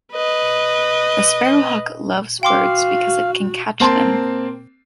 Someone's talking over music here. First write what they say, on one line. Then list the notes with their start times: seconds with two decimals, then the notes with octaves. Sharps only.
The sparrowhawk loves birds because it can catch them.
0.13 B4 D#5
2.43 F#4 F5 G5 C6 D6
3.80 A#3 C4 A5 C6